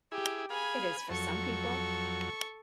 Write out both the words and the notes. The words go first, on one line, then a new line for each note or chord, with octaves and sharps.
It is for some people.
E4 G4 G#4
G#4 F5 G#5 B5
F2 F#3 A4 C#6